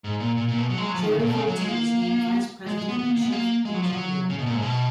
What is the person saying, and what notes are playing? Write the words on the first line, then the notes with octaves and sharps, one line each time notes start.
Jerry Vultee was named vice president and chief engineer.
G#2
A#2
A#2
A#2
B2
F#3
G#3
F#3
F3
D#3
C#3
A#2
B2
C#3
F#3
G#3
A#3
G#3
G#3
B3
B3
A#3
B3
G#3
A#3
G#3
F#3
F3
F#3
C#3
B2
A#2
G#2
B2